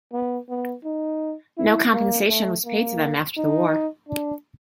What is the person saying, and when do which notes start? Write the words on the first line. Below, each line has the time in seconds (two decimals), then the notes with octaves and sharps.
No compensation was paid to them after the war.
0.13 B3
0.49 B3
0.85 D#4
1.58 E4
1.93 A#3
2.29 A3
2.65 A#3
3.37 D#4
4.09 D4